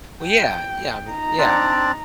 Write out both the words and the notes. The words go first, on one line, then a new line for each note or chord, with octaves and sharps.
Well, yeah, yeah, I mean yeah.
G5
D#4 A#5
C4 D4 D5